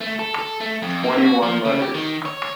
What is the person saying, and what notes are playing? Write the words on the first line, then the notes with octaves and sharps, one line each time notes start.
Twenty-one letters.
A3
A4
A4
A3
F2
A#3
F#4
F3
C#3
G4
D#3
C#5